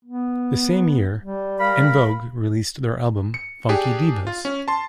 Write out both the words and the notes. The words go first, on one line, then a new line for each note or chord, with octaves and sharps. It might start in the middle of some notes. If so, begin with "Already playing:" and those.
The same year, En Vogue released their album "Funky Divas".
B3
G3
A#4 F5 B5
C#7
D4 G4 G#4
F4
C#4
A5 C6